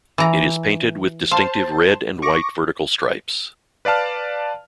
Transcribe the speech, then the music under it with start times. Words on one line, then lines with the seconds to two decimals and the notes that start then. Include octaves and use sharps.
It is painted with distinctive red and white vertical stripes.
0.18 E3 A#5
1.31 C5 F5 A5
2.22 C#6 D6 A#6
3.85 B4 D5 F5 A5 F6